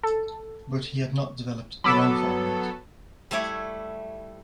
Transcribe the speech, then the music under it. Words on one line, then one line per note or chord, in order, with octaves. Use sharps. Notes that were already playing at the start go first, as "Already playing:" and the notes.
But he had not developed the long form yet.
A4
F#3 B3 A4 B5 D6 E6
G3 A3 E4 C#5 D5